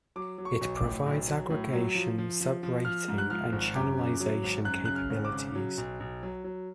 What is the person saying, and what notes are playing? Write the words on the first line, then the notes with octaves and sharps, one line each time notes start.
It provides aggregation, sub-rating and channelization capabilities.
F#3 D6
F#3
C#6
B1
D6
A2
B1
F#3
A2
F#3
F3
F3
F3
F3
F3 F6
G#2
F#6
F3 F6
G#1
F#2 D6
C#3
F#3
G#1
F#2 F#6
C#3 F#6
F6
G#1
D6
C#3
F#3
B1
B1
F#3
F#3